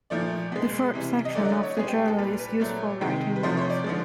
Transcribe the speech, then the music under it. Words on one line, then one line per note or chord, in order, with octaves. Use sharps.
The third section of the journal is used for writing notes.
A#2 F3 A3 D5
B2 G#3
C3 E3 G3
D#5
D3 F#3 A3 D5
D#5
D5
C#5
B2 G#3 G#4
G4
G4
A4
A#2 G3 B4
B4
A#2 F#3 A3
C3 D#3 G#3
B4
C3 F3 A3 C5
C#5
D5
D3 F3 G#3